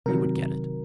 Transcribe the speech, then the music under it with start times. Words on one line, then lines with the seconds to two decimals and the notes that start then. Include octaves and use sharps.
He would get it.
0.06 C3 D#3 F#3 A#4